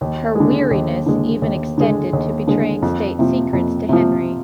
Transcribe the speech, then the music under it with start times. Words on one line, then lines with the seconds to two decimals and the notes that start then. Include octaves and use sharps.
Her weariness even extended to betraying state secrets to Henry.
0.01 D#2
0.35 D3 G#3
0.71 D#2
1.06 D3 G#3
1.42 D#2
1.78 D3 G#3
2.13 D#2
2.47 D3 G#3
2.82 F2
3.19 C3 F3
3.53 F2
3.89 C3 F3